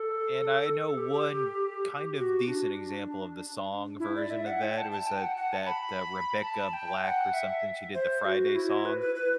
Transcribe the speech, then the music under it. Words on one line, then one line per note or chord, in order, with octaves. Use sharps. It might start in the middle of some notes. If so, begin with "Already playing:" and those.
and I know one kind of decent example of the song version of that was, uh, that, uh, Rebecca Black or something, she did the, "Friday" song.
Already playing: A4
G4
F#4
D4
E4
D5
E5
F#5
G5
A5
A5
G5
F#5
F#5
A5
B5
A5
G5
F#5
E5
C5
F#4
E4
B4
B4
B4